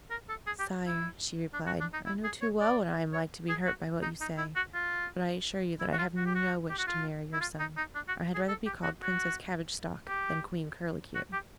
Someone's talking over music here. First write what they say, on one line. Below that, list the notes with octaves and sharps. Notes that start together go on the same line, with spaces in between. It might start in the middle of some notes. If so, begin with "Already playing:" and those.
'Sire,' she replied, 'I know too well what I am like to be hurt by what you say, but I assure you that I have no wish to marry your son I had rather be called Princess Cabbage-Stalk than Queen Curlicue.'
A#4
A4
G#4
G4
E4
D4
F#4
D4
D#4
E4
G#4
C#5
D5
C#5
G#4
F#4
D#4
D#4
E4
F#4
F4
E4
F#4
F4
F#4
G4
F#4
G4
F#4
F4
E4
F4
D#4
D#4
D4
F#4
G#4
A4
G4
F#4
F#4
G4
F#4
G4